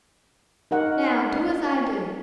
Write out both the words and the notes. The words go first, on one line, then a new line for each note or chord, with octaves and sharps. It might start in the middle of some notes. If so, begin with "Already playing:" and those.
Now, do as I do.
D#4 A#4 F#5